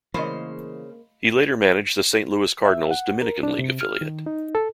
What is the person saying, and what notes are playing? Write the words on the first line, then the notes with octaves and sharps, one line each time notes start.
He later managed the Saint Louis Cardinals' Dominican League affiliate.
C#3 E3 G#3 A#3 C5 D#5 B5
E5
F#5
A#4
D4
C3
F6
D#3
D#4
A4